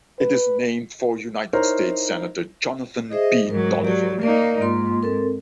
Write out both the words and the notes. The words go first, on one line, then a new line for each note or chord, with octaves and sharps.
It is named for United States Senator Jonathan P. Dolliver.
B4
D#4 E4 A#4 C5 C#5
G#4 C5 D#5 E5
G#2 F#3 A#4
F#3 G4 D5
A#3 D#4 A#4 D5
G#2 A#3 F4 C6
C4 A4 A#4